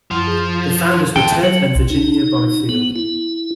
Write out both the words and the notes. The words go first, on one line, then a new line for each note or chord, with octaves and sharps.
The founders were Ted and Virginia Byfield.
F#2 F3
G#4
F3 A4 G5
F#3
C2
D#4
B3
E4